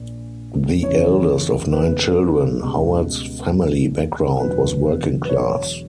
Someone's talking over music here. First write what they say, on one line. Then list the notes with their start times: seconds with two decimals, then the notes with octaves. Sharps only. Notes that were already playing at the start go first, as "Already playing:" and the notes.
The eldest of nine children, Howard's family background was working class.
Already playing: A#1 A#2
0.83 F#1 E2 C#3 E3 C#5
1.72 B4
2.61 C#2 B2 G3
4.40 E1 E2 D3 F#3 B4
5.25 B4
5.29 C#5